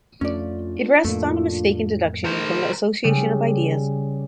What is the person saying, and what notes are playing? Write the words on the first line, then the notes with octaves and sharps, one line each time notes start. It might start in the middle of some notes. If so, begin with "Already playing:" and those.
It rests on a mistaken deduction from the association of ideas.
F2 A3 C#4 D4 F4 D5
F2 A2 A3 A#3
D#3 A3 A#4 C5
C#3 G3